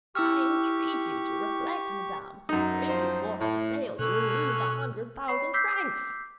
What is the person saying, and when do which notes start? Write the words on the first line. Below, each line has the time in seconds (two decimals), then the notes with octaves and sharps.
"I entreat you to reflect, madame; for if you force the sale, you will lose a hundred thousand francs."
0.15 E4 G4 C#6 E6 F6
2.49 F#2 D#4
2.87 F3 C5
3.41 A2
3.99 B2 A#3 C#4 A4 C#5 F#6
5.28 C#5 B5 C#6 C7
5.53 D6 E6 G6 B6 C7